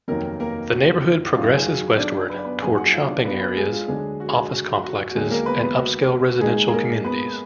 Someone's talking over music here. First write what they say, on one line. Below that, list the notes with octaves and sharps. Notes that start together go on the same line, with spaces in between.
The neighborhood progresses westward toward shopping areas, office complexes, and upscale residential communities.
F1 D#2 D#3 F#3 A#3 A#4
A#3 A#4
F#4
F#1 F#2 D#3 F4
G#4
F#4
D4 D5
B4
D5
B3 B4
F#2 F3 A#3 D#4 G#4 G#5
F#4 F#5
F4 F5
D4 D5
B3 B4
B3 B4
G#3 G#4
F4
D2 D3 F#3 G#3 D4 G#4
F#4
G#4
F#4
F#4
F#4
F#4
D#2 D3 F#3 G#3 A#3 G#4
A#3 A#4
B3 B4
B3 B4
F#4
F#4
G#2 D#3 G#3 A#3 D#4 G#4
G#4
A#3 A#4
B3 B4